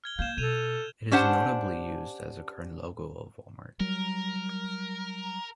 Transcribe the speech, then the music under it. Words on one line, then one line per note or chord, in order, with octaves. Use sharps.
It is notably used as the current logo of Walmart.
F6 G#6 G7
A#3 F5 G6 G#6 E7
B2 A4 G#6 D#7 F7
C#4 D4 G4 C5 F#5 A5
F#3 G3 A#4